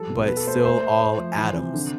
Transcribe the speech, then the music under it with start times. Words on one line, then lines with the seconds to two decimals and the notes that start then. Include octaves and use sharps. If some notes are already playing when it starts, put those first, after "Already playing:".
but still all atoms.
Already playing: F3 G3 A4
0.10 B2
0.28 B2 B4
0.37 A4
0.46 A3 C5
0.55 B4
0.64 A3 C5
0.83 A3
1.00 A3
1.19 F3
1.38 E3
1.55 C3
1.74 D3